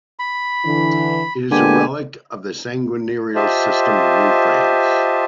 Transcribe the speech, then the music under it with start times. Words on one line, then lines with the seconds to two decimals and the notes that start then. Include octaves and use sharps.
It is a relic of the seigneurial system of New France.
0.19 B5
0.65 D3 E3
1.51 D3 G#3 A#3 B3 G4 G#5
3.35 F4 G4 C5 D#5 E5 A5